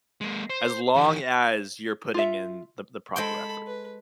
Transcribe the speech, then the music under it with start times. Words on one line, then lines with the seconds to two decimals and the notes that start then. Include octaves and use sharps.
as long as you're putting in the the proper effort.
0.21 G#3 A#3
0.50 C5
0.96 E3 G4
2.14 F4 E5
3.16 G#3 A4 C5 G5 B5
3.67 B4